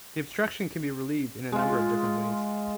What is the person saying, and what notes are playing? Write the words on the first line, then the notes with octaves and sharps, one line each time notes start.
The obstruction can be relieved in a number of different ways.
G#3 F4